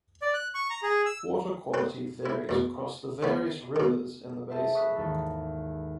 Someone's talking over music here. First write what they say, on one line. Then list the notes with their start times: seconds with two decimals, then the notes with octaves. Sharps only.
Water quality varies across the various rivers in the basin.
0.22 D5
0.34 F#6
0.54 C#6
0.70 A#5
0.83 G#4
1.06 E6
1.74 C4 B4 C5
2.26 E4
2.49 E2 B2
3.23 C#3 B3
3.76 B2 D#3
4.50 G#4 A4 C5 E5
4.74 B5 C#6 D#6 E6 F#6 B6
4.96 G#1 D#2 E3 A4